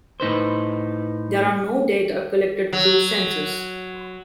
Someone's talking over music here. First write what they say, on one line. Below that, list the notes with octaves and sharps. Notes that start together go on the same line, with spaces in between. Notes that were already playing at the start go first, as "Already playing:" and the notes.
There are no data collected through census.
A2 D#4 B4 C5
F#3